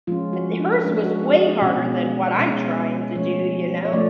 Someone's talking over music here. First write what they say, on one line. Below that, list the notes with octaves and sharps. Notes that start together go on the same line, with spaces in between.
D hers was way harder than what I'm trying to do, you know?
F3 G#3 C#4 F4
F#4
D4
F3 G#3 C#4 D4
F#4
G#4
B2 G#3 C#4
B2 G#3 C#4
F3 A3 C#4 C#5
C#5
F3 A3 D5